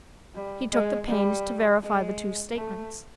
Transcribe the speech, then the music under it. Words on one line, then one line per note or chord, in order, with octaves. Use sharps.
He took the pains to verify the two statements.
G3
G#3
G3
G#3
A3